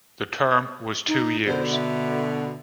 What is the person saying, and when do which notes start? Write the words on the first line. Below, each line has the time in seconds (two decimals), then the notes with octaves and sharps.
The term was two years.
1.08 D#4
1.46 B2 D3 C5
1.72 E5